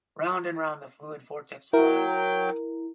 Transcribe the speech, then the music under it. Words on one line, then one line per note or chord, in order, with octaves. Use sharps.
Round and round the fluid vortex flies.
F#3 E4 A#4 G5